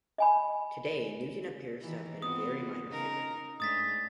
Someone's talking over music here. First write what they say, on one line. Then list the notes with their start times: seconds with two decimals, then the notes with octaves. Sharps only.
Today Newton appears to have been a very minor figure.
0.18 D#5 G#5 B5
1.81 D#3 E3
2.22 B3 C4 F4 D#6
2.87 C#3 D#4 A#4
3.60 G#2 A3 D4 D#6 A6 B6